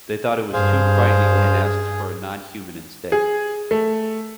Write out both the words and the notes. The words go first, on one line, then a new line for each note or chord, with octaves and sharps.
They thought it was too frightening and asked for a non-human instead.
G2 G#4 C5 F5
G#4
G#4
A3